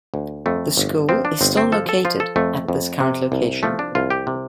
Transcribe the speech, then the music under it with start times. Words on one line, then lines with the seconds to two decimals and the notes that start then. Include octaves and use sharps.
The school is still located at this current location.
0.14 D2
0.46 F2 A3
0.77 G1
1.09 F3 C4
1.25 D4
1.41 G1 C4
1.57 C4
1.72 F3 A4
1.89 A4
2.05 F3 F4
2.20 A4
2.36 F2 A3
2.68 F2
3.00 C3
3.32 C2
3.63 F3 A3
3.79 D4
3.95 C2 F4
4.10 G4
4.27 C3